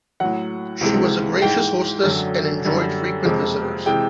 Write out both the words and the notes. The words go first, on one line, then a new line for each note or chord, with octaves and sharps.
She was a gracious hostess and enjoyed frequent visitors.
A2 F#3 F#5
C#2 C3 E3 G#3
G#2 E3 G#3 G5
F#2 D3 F#3
F#2 D3 G3
F2 C3 F3 G#3
C3 E3 G#3 G5